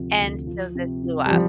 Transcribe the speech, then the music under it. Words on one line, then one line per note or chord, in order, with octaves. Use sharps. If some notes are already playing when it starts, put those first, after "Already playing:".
And so this blew up.
Already playing: D2 C3 F3
D2
F3
C3
C3
G3
F3 C4